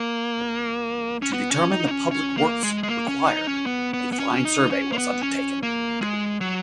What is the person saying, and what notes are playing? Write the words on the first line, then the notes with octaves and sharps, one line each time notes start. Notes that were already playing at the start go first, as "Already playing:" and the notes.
To determine the public works required, a flying survey was undertaken.
Already playing: A#3
C#4
B3
C#4
D#4
B3
C#4
C#4
A#3
G#3
G#3
A#3
C#4
D#4
C#4
B3
B3
B3
C#4
D#4
C#4
A#3
B3
C#4
A#3
G#3
F#3